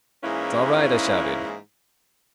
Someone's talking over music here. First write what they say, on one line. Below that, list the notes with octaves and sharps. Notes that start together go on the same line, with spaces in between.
"It's all right," I shouted.
G#2 E3 G#3 A#3 C#4 E4